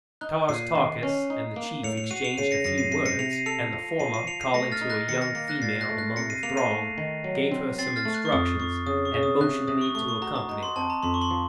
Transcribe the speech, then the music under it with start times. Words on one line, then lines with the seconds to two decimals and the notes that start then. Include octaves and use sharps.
Tars Tarkas and the chief exchanged a few words, and the former, calling to a young female among the throng, gave her some instructions and motioned me to accompany her.
0.21 D#4 F#6
0.48 A#2 C7 D#7
0.75 D#3
1.03 C#4
1.30 D#4
1.56 A#3
1.83 A2 C#7 F7
1.97 C#7 F7
2.11 F#4 C7 D#7
2.24 C#7 F7
2.38 C#3 C7 D#7
2.51 A#6 C#7
2.64 F#2 A#6 C#7
2.78 C7 D#7
2.91 C3 C7 D#7
3.06 A#6 C#7
3.19 C3 C#7 F7
3.33 C7 D#7
3.46 A4 C#7 F7
3.73 F3
4.00 F3 C7 D#7
4.14 C7 D#7
4.27 F3 C#7 F7
4.41 C7 D#7
4.54 A3 A#6 C#7
4.72 F6 A6
4.81 D#4
4.90 F#6 A#6
5.08 D#3 A#6 C#7
5.21 A#6 C#7
5.35 A#3 A#6 C#7
5.48 F#6 A#6
5.62 A#2 A6 C7
5.81 F#6 A#6
5.89 A3
5.98 F#6
6.16 C3 A#6 C#7
6.30 C7 D#7
6.43 A#3 C#7 F7
6.57 C7 D#7
6.70 A3
6.98 D#3
7.24 F#3
7.52 C4
7.78 C4 A6 C7
7.96 F6 A6
8.05 A3
8.15 F#6
8.25 C#6
8.32 F2 D#6
8.60 F2 C#6
8.86 C#3 D#6
9.05 C#6
9.14 C#3
9.23 D#6
9.41 C3 F#6
9.67 C3 D#6
9.81 C#6
9.95 A3 C#6
10.08 C#6
10.22 F#4 A#5
10.36 A#5
10.49 D#4 A#5
10.63 C6
10.76 C4 A5
10.90 A#5
11.03 F2 C6
11.14 C#6
11.22 C6
11.31 F3